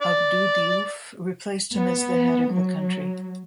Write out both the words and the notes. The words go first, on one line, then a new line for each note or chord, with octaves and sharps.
Abdou Diouf replaced him as the head of the country.
D5
B3
F#3